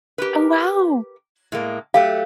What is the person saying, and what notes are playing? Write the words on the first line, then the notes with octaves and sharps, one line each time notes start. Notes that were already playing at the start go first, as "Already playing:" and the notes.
Oh, wow.
G4 A#4 B4
A2 G#3 A#3
F#3 A3 G4 F5